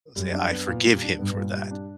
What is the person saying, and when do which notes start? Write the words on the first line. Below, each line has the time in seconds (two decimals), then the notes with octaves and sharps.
say I forgive him for that,
0.16 F#2 G3
0.33 D4
0.51 B3
0.68 A#2
0.84 G3
1.02 D4
1.19 G2 B3
1.37 A#2
1.54 G3
1.71 D4